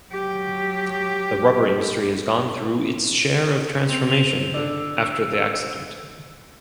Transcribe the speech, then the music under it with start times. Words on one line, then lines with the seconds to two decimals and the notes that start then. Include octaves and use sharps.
The rubber industry has gone through its share of transformation after the accident.
0.11 F#3 G4
3.89 C4 F7
4.54 D3 D4 E6